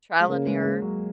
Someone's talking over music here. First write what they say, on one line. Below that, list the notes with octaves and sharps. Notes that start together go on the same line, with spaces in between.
Trial and error.
G#3
C#3 A#3
G#3
G#3
F#3